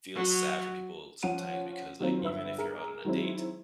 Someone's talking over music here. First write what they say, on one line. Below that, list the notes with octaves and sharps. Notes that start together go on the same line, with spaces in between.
feel sad for people sometimes because, like, even if you're out on a date,
F#3
F3 C#4 F#5 D#7
D#3 F#3 A#3 C4 F4
G1 B4 E5 E6
G#4 A#4
D#3 F#3 G#3 C4 E4